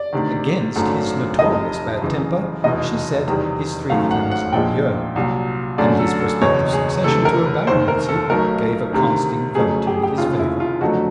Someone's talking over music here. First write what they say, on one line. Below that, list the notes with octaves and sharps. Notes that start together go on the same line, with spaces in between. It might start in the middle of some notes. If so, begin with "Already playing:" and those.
Against his notorious bad temper she set his three thousand a year, and his prospective succession to a baronetcy gave a casting vote in his favour.
Already playing: D5
D2 C3 D#3
G#1 F#2 D3 F#3 A3
F1 F2 C3 D#5
F#2 C#3 E3
F1 E2 B2 D#5
E2 C3 D#3 G3
G#1 F#2 D#3 F#3 A3 F5
F#5
F#5
A#1 A#2 F3 G#3 G5
C2 A#2 F#3
F#2 D3 F#3 A3 D5
A4
A4
F#1 E2 B2 C#5
G#4
D2 C3 E3 A4
A#4
B4
F1 D#2 D#3 C5
A#4
A4
B1 B2 F#3 A3 A#4
D2 C3 D#3
F2 C#3 F#3 A3 G#4
G4
G#4
G4
F1 D#2 C#3 F4
E4
F4
F2 D3 F#3 A3 F#4